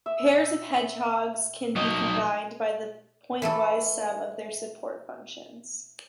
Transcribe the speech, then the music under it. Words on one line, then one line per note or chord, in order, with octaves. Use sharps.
Pairs of hedgehogs can be combined by the pointwise sum of their support functions.
E5
F#3 D#4 D#5
E3 A3 A4